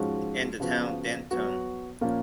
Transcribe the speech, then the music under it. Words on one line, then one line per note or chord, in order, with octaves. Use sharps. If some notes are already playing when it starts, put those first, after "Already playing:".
And the town, Denton.
Already playing: G#2 F3 G#3 C#4 F#4
C#3 F3 B3 F#4
F#3 B3 F#4
A#2 F3 A#3 C#4